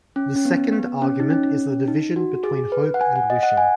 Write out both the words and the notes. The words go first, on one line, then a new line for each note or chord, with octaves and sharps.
The second argument is the division between hope and wishing.
C#4
C#4
B3
B3
C#4
D#4
C#4
D#4
F#4
G#4
B4
F#5
G#5
F#5
D#5
F#5
G#5